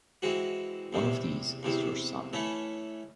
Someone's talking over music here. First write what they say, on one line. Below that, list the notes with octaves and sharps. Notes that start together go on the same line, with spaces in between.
One of these is your son.
E3 G#3 C4 F#4
E2 C3 E3
E2 C3 E3
E3 A3 C#4 E4